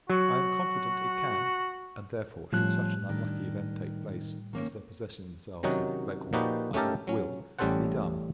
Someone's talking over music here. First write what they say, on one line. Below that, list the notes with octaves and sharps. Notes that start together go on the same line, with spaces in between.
I am confident, it can--and, therefore, should such an unlucky event take place, as their possessing themselves of Leghorn, I hope, will--be done.
F#3 F#4
A2 F3 G3 C#4 F#6
D#3 D4
D#3 A#3 C#4
C3 D#3 F#3 C#4 D#4 F#4
A#2 F3 D#4 F#4 G4 B4
A3 C#4 D#4 G4 A4 A#4
F#3 C#4
A1 G3 C#4 A4 C5 F#5